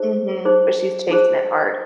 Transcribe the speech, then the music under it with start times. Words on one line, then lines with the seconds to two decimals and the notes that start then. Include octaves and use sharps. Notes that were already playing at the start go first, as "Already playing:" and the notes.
Mhm, but she's chasing it hard.
Already playing: D#4 G#4 C5
0.45 D#4 G#4 C5
1.10 D#4 G#4 C5